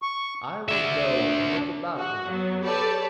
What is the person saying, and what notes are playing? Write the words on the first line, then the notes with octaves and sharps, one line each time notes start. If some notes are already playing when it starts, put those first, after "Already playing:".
I will go and look about me in the world.'
C#6
D4 E5
F#4
F#3 B3
G4 A4 B4 C#5 D5 A5